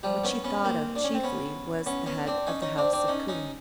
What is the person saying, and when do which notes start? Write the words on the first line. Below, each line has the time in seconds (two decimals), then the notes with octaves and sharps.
What she thought of chiefly was the Head of the House of Coombe.
0.03 F3 G3
0.24 B3 C#4
0.44 B3 C#4
0.64 A#3 C4
0.96 D4
1.04 C#4
1.14 C4
1.24 B3 C#4
1.86 B3 C#4
2.06 B3 C#4
2.26 C4 D4
2.47 C#4 D#4
2.62 C#4 D#4
2.78 C4 D4
2.93 C4 D4
3.08 C#4 D#4
3.28 C#4 D#4